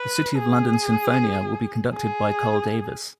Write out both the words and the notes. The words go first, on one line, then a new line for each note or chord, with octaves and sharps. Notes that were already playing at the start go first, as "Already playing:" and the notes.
The City of London Sinfonia will be conducted by Carl Davis.
Already playing: B4
G#4
G#4